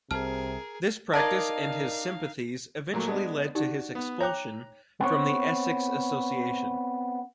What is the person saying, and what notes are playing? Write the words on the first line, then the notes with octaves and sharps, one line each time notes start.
This practice and his sympathies eventually led to his expulsion from the Essex Association.
C2 C3 G#4 A#4 A5 F6
D#4 A#4 D5 D#5 F5 A5 G#6
A#2 F#3 A3
G#3 B3 D4 A5
D#4 F#4 G4 D5
B3
C#5 G5 A#5 D6 F#6
B3 C4 C#5